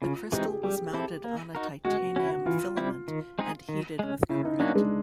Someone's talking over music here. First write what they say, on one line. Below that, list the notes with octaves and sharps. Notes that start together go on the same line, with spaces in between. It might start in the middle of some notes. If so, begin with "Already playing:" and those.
The crystal was mounted on a titanium filament and heated with current.
C#3 F4
E3 G#3 C4 D#4 G4
G#4
G3 G4
C4 E4 A4
A#3
D#4 F#4 A#4
G#3 F#4
C#4 E4 F#4
E3 F4
G3 C4 E4
D#3
G#3 C4 D#4 G#4
D#3
G#3 C#4
C#3 E4
D#4
F#3 A#3 C#4 D4 F#4
G#3